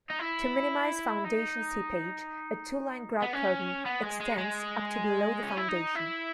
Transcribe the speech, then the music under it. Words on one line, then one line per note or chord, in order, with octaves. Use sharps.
To minimize foundation seepage, a two-line grout curtain extends up to below the foundation.
D#4
E4
D#4
B3
C#4
B3
G#3
G#3
G#3
C#4
E4
D#4
E4